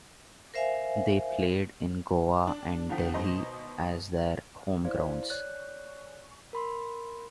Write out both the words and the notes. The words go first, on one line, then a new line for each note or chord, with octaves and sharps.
They played in Goa and Delhi as their home grounds.
A#4 C5 E5 F5 G#5
D4
C2 D3 F3 G5 B6
G#1 B2 C5 D#5 A#5
E4 C5 D5 F5
C#5 D5 F#6
A#4 B5 C6